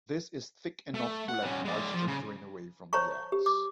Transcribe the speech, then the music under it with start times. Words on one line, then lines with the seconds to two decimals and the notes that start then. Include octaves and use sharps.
This is thick enough to let moisture drain away from the eggs.
0.94 A3
1.29 F#5
1.42 G3 C#4
1.65 G#3 D5
1.94 F3
2.08 C#3
2.93 C5 C#5 A5 A#5 C#6
3.32 G4
3.46 D6